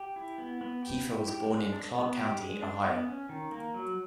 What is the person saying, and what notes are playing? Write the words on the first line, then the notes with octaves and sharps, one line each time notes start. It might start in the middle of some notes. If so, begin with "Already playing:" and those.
Keifer was born in Clark County, Ohio.
Already playing: G4
E4
B3
B3
G4
E4
G4
G#3
D4
B3
G4
G#3
D4
B3
C#4
D#3
A#3
F#3